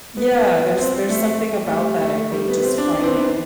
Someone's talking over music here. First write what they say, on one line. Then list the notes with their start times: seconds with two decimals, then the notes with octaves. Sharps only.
Yeah, there's there's something about that, I think just finding
0.17 B3
0.32 B3
0.78 C4
0.94 C4
1.09 A3
1.67 A3
1.71 G3
2.02 A3
2.32 G3
2.48 B3
2.58 B3
2.63 C4
2.78 D4
2.94 D4
3.00 B3
3.03 C4
3.15 B3